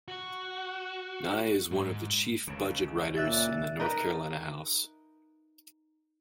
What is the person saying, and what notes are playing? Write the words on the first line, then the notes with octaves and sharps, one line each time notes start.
Nye is one of the chief budget writers in the North Carolina House.
F#4
G#2
C#2 C#3
A#2 D5 E5 F#6 A6
D#4 A#4 B4 E5